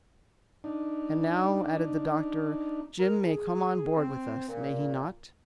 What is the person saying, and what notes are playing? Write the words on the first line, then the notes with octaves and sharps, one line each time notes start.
"And now," added the doctor, "Jim may come on board with us, may he not?"
D4 D#4
A#4
G#4
C4
A#2